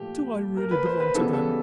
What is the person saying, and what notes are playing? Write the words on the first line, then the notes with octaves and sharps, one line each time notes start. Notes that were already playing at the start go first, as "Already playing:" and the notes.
Do I really belong to them?
Already playing: A#2 F3 A3 G4
A#4
B4
C5
B4
C#3 E3 G3 B3 A4
A4